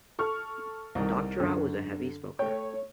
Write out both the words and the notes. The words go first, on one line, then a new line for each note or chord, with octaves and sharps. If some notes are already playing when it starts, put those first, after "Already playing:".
Doctorow was a heavy smoker.
A4 C#6 F6
C2 D#3
F#2 D3
A3 C#5 G5